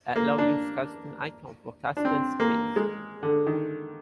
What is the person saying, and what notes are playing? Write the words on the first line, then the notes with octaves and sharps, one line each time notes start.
Allow use customs icons for customs scripts!
A#3
D4
D4
C4
A#3
G#3
D3
D#3